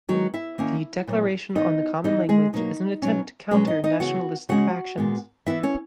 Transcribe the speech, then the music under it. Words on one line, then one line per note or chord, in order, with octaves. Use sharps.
The "Declaration on the common language" is an attempt to counter nationalistic factions.
D#3 F#3 G#3 B3 F#4
E4 E5
D#3 A#3 C#4
A#2 F#3 B3
E3 B3 D#4 D#5
E3 B3 D#4 D#5
G#3 G#4
B2 F#3 A#3 D#4
B2 F#3 C#4
B2 F#3 G#3 C#4 G#4
D#4 D#5
D#4 D#5
C#3 E3 B3 F#4 F#5
C#3 G#3 C#4 F#4 F#5
A#2 G#3 B3
E3 B3 E4 E5
C#4 C#5